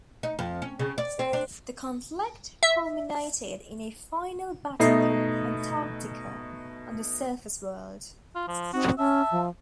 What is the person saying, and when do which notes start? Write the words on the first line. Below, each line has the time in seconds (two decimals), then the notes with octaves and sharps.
The conflict culminated in a final battle in Antarctica, on the surface world.
0.23 D#4
0.39 F2
0.62 C#4
0.79 C#3
0.98 D5
1.19 C4
1.33 D4
2.63 E5
4.80 B2 A3 D#4 C7
8.35 F4
8.48 F3
8.73 C4 D#4 F#4
8.98 C#4 E5 A5
9.31 F3